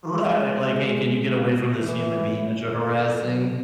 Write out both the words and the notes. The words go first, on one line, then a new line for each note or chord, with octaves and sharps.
Right, like, "Hey, can you get away from this human being that you're harassing?"
G#3
E3
D3
D3
F#3